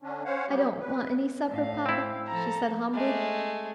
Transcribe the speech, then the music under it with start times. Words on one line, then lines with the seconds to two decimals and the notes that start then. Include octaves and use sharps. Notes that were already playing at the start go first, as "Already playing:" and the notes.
"I don't want any supper, papa," she said, humbly.
0.02 D3 C#4 D4
0.25 C#4 C5 C#5 F5 F#5
0.48 F#3 G3 B3 G4
0.80 B4
1.48 A2 F5
1.86 C4 E4
2.27 F3 A4 A#5
2.94 G#3 A3